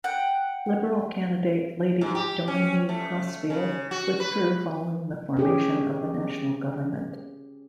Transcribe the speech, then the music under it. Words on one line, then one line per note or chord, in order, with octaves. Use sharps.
Liberal candidate Lady Domini Crosfield withdrew following the formation of the National Government.
F#5 G5
G#2
G4
C#4
A3
C#3
F#4
B4
C#4 G4 G#4